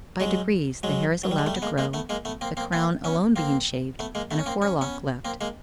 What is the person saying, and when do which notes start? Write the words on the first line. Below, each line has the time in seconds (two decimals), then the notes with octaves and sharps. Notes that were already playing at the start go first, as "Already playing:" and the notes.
By degrees the hair is allowed to grow, the crown alone being shaved, and a forelock left.
0.20 F#3 G#3
0.83 F#3 G#3
1.24 F#3
1.31 G3
1.38 G#3
1.46 G3 A3
1.56 B3
1.62 G#3 A#3
1.78 G#3 A#3
1.94 A3 B3
2.09 G#3 A#3
2.25 A3 B3
2.41 A#3 C4
2.57 A#3 C4
2.72 A#3 C4
3.04 B3 C#4
3.36 A#3 C4
3.99 A3 B3
4.15 G#3 A#3
4.31 A3 B3
4.39 C#4
4.46 A#3 C4
4.62 C#4
4.81 B3 C#4
5.25 A#3 C4
5.41 G#3 A#3